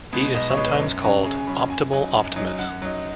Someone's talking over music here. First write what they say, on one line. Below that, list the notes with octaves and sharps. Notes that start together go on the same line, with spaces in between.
He is sometimes called Optimal Optimus.
B2 G#3 B3 D#4
B1 D#5
C#5
B2 G#3 B3 D#4
B4
F#2
C#3 F#3 C#4
F#2 G#4
G#5
C#3 F#3 C#4 B5
F#2 G#5
F#3 D#4 G#5
F#2
F#3 D#4
F#2 F#5
F#3 D#4